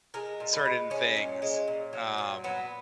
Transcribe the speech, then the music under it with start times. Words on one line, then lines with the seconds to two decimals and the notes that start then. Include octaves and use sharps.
certain things, um
0.14 G#3 A#4
0.40 A#2
0.53 B4
0.65 G#3
0.90 G#3 C#4
1.16 A#2
1.42 G#3
1.68 A#2
1.93 F#3
2.18 A#2
2.44 F#3 B3